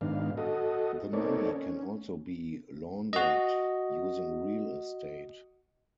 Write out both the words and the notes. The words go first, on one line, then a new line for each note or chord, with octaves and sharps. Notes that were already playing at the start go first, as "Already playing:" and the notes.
The money can also be laundered using real estate.
G#2 D#3 B3 D4 F5
F#4 A4 D#5
A#3 C4 D#4 A4 C#5 D5
C#4
F#4 D#5